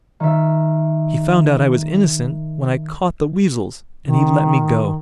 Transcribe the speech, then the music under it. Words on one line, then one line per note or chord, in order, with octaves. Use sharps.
He found out I was innocent when I caught the Weasels and he let me go.
D#3 E5
D#3